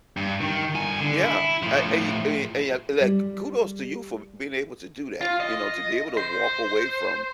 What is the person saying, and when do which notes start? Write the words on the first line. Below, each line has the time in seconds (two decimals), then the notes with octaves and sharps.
Yeah. I and y and y and y and, like, k kudos to you for b being able to do that. You know, to be able to walk away from
0.17 G2
0.41 D#3
0.75 G2 G#5
1.01 D3
1.23 E4
1.63 A2 F3
3.01 G3
5.21 F4
5.40 D#5
6.17 C5